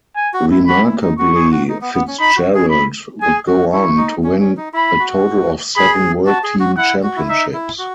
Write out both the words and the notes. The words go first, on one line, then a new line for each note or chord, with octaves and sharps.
Remarkably Fitzgerald would go on to win a total of seven World Team Championships.
G#5
F#4
E4
F#4 B5
E4
D#4
F#4 C#6
G#4
F#4
D#4
B3
B3
C#4
D#4 B5
F#4
G#4
B5
G#4 G#5
F#4
E4 C#6
D#4
C#4
C#4
D#4
E4 B5
F#4
G#4 B5
F#4 A5
G#4
F#4
E4 F#5
F#4
E4
D#4 E5
E4
F#4